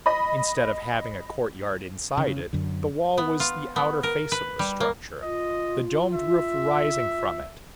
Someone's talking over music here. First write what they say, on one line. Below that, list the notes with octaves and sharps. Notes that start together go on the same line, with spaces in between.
Instead of having a courtyard inside it, the wall was the outer face of the structure, the domed roof rising from it.
D#5 B5
C#3
F#2 D3
B3
F4
B3
A#4
B4
G3
A#3
F4 D#5
E5